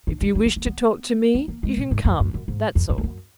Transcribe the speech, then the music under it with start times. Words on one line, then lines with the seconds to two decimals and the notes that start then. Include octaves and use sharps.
If you wish to talk to me, you can come, that's all.
0.07 D4
0.21 D4
0.35 D4
0.46 B3
0.56 A#3
0.66 B3
1.35 B3
1.48 A#3
1.63 G#3
1.77 A#2
1.91 G#2
2.05 F#2
2.20 F#2
2.34 F#2
2.48 G#2
2.75 F2
2.90 F#2
2.98 F2
3.03 F#2